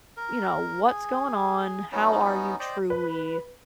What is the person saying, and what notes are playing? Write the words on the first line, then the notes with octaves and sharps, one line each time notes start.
you know, "What's going on? How are you truly?"
A#4
G#4
F#3 B3 C#4 D#4
C5 D5 D#5 G5
B4